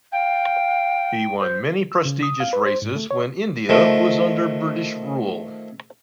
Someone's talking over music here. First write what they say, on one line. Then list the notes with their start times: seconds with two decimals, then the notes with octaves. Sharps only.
He won many prestigious races when India was under British rule.
0.12 F5 G5
1.40 C5
1.92 E6
2.05 C#3
2.23 D#6
2.40 F5
2.53 B4
2.65 C5
2.82 G#2
2.96 A3
3.11 C#5
3.69 D#3 F3 A3